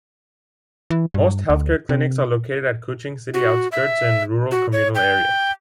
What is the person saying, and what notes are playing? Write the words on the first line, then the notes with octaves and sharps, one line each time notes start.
Most healthcare clinics are located at Kuching city outskirts and rural communal areas.
E3
G2
D2
C3
F#4
E5
F#4
C#5
G5